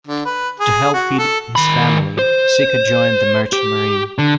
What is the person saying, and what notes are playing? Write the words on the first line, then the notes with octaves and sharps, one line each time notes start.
To help feed his family, Sika joined the Merchant Marine.
D3
B4
G#4
F#4
A4
D#3 B5
C5
G4
D3